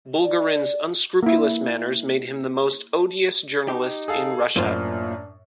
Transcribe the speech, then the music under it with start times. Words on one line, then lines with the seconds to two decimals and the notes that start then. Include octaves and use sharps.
Bulgarin's unscrupulous manners made him the most odious journalist in Russia.
0.23 D5
1.23 A#3 E4
3.68 D#4 G4
4.08 G#4 A4 F5
4.56 F#2 A2 A#3 D4 F4 C5